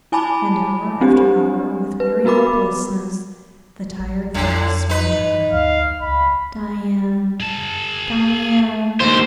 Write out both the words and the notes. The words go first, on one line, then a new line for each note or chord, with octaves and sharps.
And hour after hour with weary hopelessness the tired voice went on--"Diane, Diane...."
E4 G#5 A5 B5 D6
F#3 G3 C4 D4 G4
B4
B3 F#4 A#4 B5 D6
A1
F2 A2 D3
D#4 B4
G2
D2 F5
C#2 B5
G#4 A5
D#2 C5